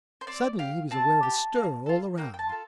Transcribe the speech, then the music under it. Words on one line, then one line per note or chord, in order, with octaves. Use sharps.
Suddenly he was aware of a stir all around.
C5
C4 D5
G4 F5
C4 A5
G4
A#3
F4 A4
A#3 G5
G5
A5
F4 A4